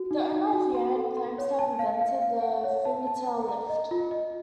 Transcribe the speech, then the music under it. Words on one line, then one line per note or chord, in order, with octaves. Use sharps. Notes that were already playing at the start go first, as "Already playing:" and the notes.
The owner of Yan claims to have invented the funitel lift.
Already playing: F#4
D#4
D#4
F#4
C6
A4
C6
C#5
A5
F5
F5
F5
F#5
C#5
A5
A5
A#5
A#5
D#5
F4
D#5